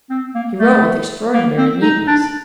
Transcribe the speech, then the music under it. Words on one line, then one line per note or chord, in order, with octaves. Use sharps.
He wrote with extraordinary neatness.
C4
A#3
A3
A#3
C4
D#4
D4